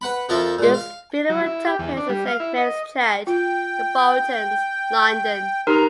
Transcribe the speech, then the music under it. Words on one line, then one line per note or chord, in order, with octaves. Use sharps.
His funeral took place at Saint Mary's Church, The Boltons, London.
B4 F#5 B5
F2 F3 A4 A#4 E5
A#2 G#3
F5
F#3
E4
G4
E2
D4
G3
F5
E4
D#5
F4 G5
D#4 G4 A#4 B4 A#5